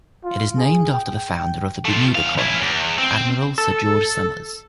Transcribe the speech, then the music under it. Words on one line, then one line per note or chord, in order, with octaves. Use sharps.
It is named after the founder of the Bermuda colony, Admiral Sir George Somers.
F4
G#4
G5
A3 F4
E2 F5
C#4 E4
E2
C4
A4